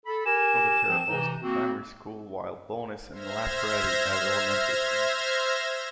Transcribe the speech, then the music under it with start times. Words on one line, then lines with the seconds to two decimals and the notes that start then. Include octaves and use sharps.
Aubeterre hosts the primary school while Bonnes and Laprade have elementary schools.
0.06 A4 B5
0.26 G4 A#4 G#5 E7
0.87 F3 C4
1.09 C3 E3 D#4
1.43 A#3 C4 F#4
3.11 C5 E5 F6 G#6 A#6